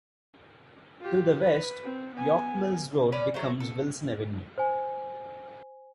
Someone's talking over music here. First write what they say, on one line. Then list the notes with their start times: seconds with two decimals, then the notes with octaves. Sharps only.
To the west, York Mills Road becomes Wilson Avenue.
1.01 F4 G4
1.41 B4
1.83 C4
2.15 B3 G#5
3.12 C#4 B4 D5
3.34 F#3 A3 C5
3.60 A4
4.58 C5 G#5